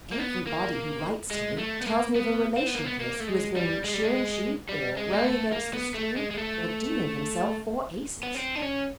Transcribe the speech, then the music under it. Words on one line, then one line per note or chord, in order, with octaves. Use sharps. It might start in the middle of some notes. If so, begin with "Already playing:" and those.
Everybody who writes to me tells me of a relation of his who has been shearing sheep or rowing against the stream or dealing himself four aces.
A#3
B3
A#3
G#3
A3
B3
A#3
B3
C4
B3
A#3
B3
A#3
A3
G#3
G3
G#3
G3
G#3
G3
G#3
A#3
A3
A#3
B3
A3
G#3
G#3
A3
B3
C4
D4
C#4